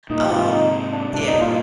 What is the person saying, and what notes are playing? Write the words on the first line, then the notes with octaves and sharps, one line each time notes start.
um, yeah,
G2 A#2 D#4
G4
G#2 C3 F4
D#4
D4
G#2 C3 D4
C3 D#4
G2 A#2
F4